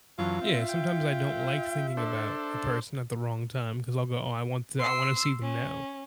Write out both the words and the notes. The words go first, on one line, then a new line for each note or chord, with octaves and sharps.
Yeah, sometimes I don't like thinking about a person at the wrong time, 'cause I'll go, "Oh, I want to I wanna see them now."
F#2 E3 F#3 F4 A5
C4 E5
G5
D4 A4 C5
C6 E6
C#4